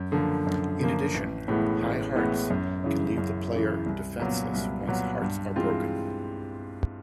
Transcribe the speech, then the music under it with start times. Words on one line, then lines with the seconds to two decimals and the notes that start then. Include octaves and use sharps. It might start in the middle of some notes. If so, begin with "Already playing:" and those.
In addition, high hearts can leave the player defenseless once hearts are broken.
Already playing: F#2
0.12 D3 F3 A#3
0.47 F#2
0.80 D3 F3 A#3
1.14 A1
1.48 A2 E3 G#3 B3
1.82 A1
2.16 A2 E3 G#3 B3
2.50 F#2
2.84 C#3 E3
3.18 F#2
3.52 C#3 E3
3.86 C2
4.20 A#2 F#3 B3
4.54 C2
4.88 A#2 F#3 B3
5.22 G2
5.56 E3 G#3 C4 F4